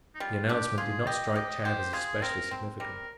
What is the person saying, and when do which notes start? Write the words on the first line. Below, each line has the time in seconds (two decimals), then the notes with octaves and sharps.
The announcement did not strike Tad as especially significant.
0.15 D#4
0.20 G3 F4
0.49 D4 G4
0.78 F4 G#4
1.07 G4 D#5
1.35 G4 D#5
1.65 G4 C5
1.93 F4 G#4
2.22 C4 A#4
2.51 C4
2.80 G3 A#4